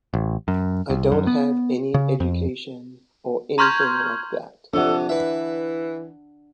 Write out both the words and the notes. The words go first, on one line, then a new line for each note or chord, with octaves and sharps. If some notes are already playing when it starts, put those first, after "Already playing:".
I don’t have any education or anything like that.
A1
F#2
C2
F#2
B3
C#3
F2
A#5 C6 C#6 F6 G6 G#6
F2 C3 D4 A4 F#5
E3 B4 E5